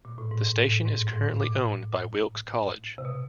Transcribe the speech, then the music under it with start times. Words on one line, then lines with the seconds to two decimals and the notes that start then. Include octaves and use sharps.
The station is currently owned by Wilkes College.
0.05 A#2
0.18 A2
0.31 G#2
0.59 A2
0.85 G#2
1.08 G#2
1.13 A2
1.41 A#2
2.98 C3
3.05 B2